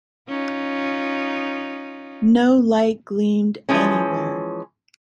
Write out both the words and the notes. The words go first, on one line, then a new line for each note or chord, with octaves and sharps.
No light gleamed anywhere.
C#4 D#4 F4
E3 F3 G#3 C#4